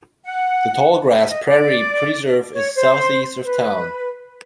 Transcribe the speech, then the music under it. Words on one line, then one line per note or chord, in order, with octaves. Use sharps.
The Tallgrass Prairie Preserve is southeast of town.
F#5
E5
D#5
D5
C#5
C5
B4